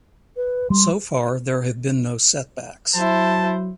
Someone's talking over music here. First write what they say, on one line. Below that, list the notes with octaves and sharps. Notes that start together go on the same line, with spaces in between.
So far, there have been no setbacks.
B4
G3 C6
F#3 E4 C5 A5